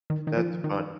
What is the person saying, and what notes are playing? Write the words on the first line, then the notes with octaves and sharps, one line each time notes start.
That's fun,
D#3
D#3
F3
D#3